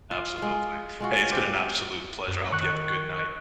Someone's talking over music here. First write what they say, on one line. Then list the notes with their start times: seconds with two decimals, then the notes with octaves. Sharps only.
Absolutely. Hey, it's been an absolute pleasure. I hope you have a good night.
0.11 F4
0.38 G#3 F4
1.00 G#3 F4 F#4
1.30 F4 G4 C5
2.28 F#2
2.52 D#3 C#6 F#6